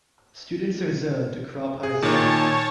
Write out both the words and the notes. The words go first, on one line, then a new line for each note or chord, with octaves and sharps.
Students are zoned to Krop High School.
G#4
A#2 D#3 C#5 A5